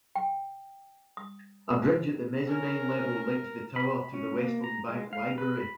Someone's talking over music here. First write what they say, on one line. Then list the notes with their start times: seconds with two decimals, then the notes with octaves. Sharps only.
A bridge at the mezzanine level links the tower to the Western Bank Library.
0.15 G5
1.17 D#6
2.47 C#4 A#4
3.76 B5
4.14 C#4
4.38 A#3
4.64 A#5
4.89 G#3
5.13 F5
5.38 B4
5.60 B5